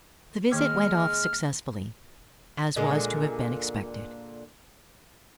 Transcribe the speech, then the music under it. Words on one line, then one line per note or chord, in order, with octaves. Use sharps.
The visit went off successfully, as was to have been expected.
D#3 G#3 A#3 D6 F6
A#2 D3 G#3